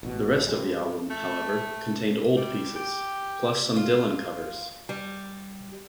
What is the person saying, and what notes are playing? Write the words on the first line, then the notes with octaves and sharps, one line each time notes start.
The rest of the album, however, contained old pieces, plus some Dylan covers.
A1 B2
G2 F3 G3 G#3
A3
G3
G4
F4
G3